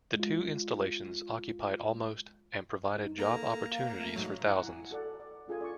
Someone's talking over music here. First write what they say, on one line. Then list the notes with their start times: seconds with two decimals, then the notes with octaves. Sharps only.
The two installations occupied almost and provided job opportunities for thousands.
0.16 G#3 F4
2.91 D#4
3.18 A#3 A4 A#5
3.70 F5
3.96 A3
4.16 G#2 F#3
4.44 E4 F#5 A#5
4.67 G#5
4.91 F#4 A4 D5 F#5
5.20 D5
5.48 C#4 F4 G#4 A4 G#5
5.61 D5 C#6